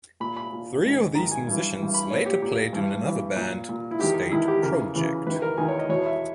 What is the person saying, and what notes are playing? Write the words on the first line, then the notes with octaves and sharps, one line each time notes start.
Three of these musicians later played in another band, State Project.
A#2 B5
B5
A#2
G#2 D#3
G#2 D#3 A#5
G#5
G2 E3
G2 E3
B5
A#2 C#5
G4
A#2 G4
G2 E3
G2 E3
A#2
A#2
E4
E2 D#3 G4
E2 D#3 E4
G4
E2 C#3 E3 A#4
E2 C#3 E3
E2 D#3 B4
A#4
E2 D#3 G#5
C#5
D#5
E2 B2 C#5
E5